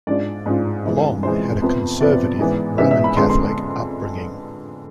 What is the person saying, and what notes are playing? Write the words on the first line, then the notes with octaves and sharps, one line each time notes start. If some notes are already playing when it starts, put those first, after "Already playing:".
Long had a conservative Roman Catholic upbringing.
G#2 G#3 D4 F4 D5
G#2 G#3 D4 F4
F2 C3 E3 G#3
F2 C3 E3 G#3 C5
F2 C3 F3 B3
F2 C3 F3 B3 D5
G#2 E3 G#3 B3
G#2 E3 G#3 B3 E5
E5
B5
F2 D3 G#3 B3 C6
C6